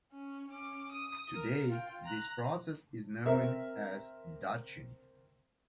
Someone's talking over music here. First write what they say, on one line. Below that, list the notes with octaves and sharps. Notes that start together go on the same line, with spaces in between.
Today, this process is known as "Dutching".
C#4
C#4 D6
D#6
A#4
F4 G5
A#5 F#6
C4 A#4 E5